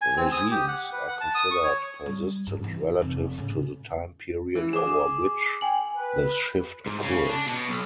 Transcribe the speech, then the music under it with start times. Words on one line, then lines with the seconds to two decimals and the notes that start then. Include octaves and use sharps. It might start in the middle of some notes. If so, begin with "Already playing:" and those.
Regimes are considered persistent relative to the time period over which the shift occurs.
0.01 G#5
0.17 C4
0.32 D#6
0.51 G4
0.68 F#5
0.92 B4
1.07 F#5
1.21 A5
1.35 D#6
1.51 C#6
1.64 C#5
2.06 G3
2.47 G2
2.63 E3 D#4
3.02 F1
3.38 A2 C#3
4.55 E3
4.73 G#4 D6 E7
5.61 G5 G#5 F#7
5.94 B4
6.86 G#2
7.02 C#3
7.29 D4
7.46 B2
7.69 B1